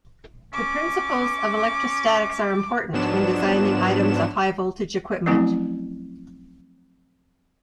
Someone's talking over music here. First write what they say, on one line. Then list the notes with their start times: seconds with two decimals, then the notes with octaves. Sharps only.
The principles of electrostatics are important when designing items of high-voltage equipment.
0.53 C#4 D6
2.93 G#2 F3 F#3 B3 D4 E7
5.26 F3 F#3 A3 C4 C#4 E4